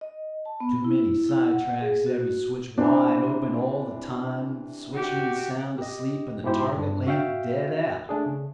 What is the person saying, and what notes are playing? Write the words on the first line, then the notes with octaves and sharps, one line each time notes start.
Too many side tracks; every switch wide open all the time, switchman sound asleep and the target-lamp dead out.
D#5
A5
B3
E4
E4
F#5
G#4
F#4
C3 E3 D4
F#4 G4
G4 D#5
G#2 B2 E4 G4 C5
G2 D4
F#4 E5 F5 G5
A3 D4 G#4
C#3